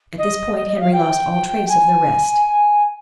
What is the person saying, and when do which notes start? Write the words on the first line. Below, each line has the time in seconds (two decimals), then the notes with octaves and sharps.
At this point Henry lost all trace of the rest.
0.18 D#5
0.55 D#5
0.67 D#5
0.75 E5
0.80 F5
0.93 G5
1.68 G#5